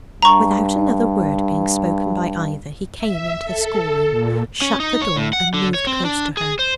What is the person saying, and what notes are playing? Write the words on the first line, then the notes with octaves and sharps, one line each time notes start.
Without another word being spoken by either, he came into the schoolroom, shut the door, and moved close to her.
G2 A#5 C#6
E5
A4
A#2
C#4
D#4
C#5
A2
F#5
D3
C#5
C4
D4
G#4
C5